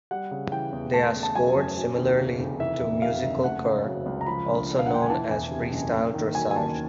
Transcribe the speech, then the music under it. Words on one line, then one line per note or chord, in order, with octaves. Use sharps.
They are scored similarly to musical kur, also known as freestyle dressage.
G3 F#5
C#3
E3 G5
E2
A3 A5
C#3
A5
F#3 G#5
F#2
F#3
D#2
C#3
F1
E3 E5
E2
C3 F5
F#1
A3 F#5
C#3
F#3
C#2
A#5
F3 B5
D2
D3
F5
E1 F#5
G5
G#5
E3 A5
E2 G#5
C3
F#1
A#3
D#3
F#3 G#5
G#5
D#2 A5